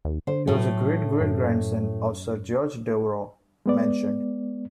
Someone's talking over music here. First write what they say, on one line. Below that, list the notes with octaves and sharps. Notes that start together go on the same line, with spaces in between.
He was a great-great grandson of Sir George Devereux mentioned.
D#2
D3 C5
A2 F#3 A3
F#2
G#3 B3 D5